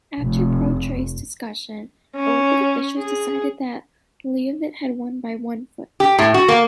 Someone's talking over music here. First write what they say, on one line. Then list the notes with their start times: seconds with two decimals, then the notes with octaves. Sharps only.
After protracted discussion, Olympic officials decided that Leavitt had won by one foot.
0.20 F1
2.15 C#4
2.97 G#4
6.00 G4
6.19 A2
6.34 F#4
6.48 A#3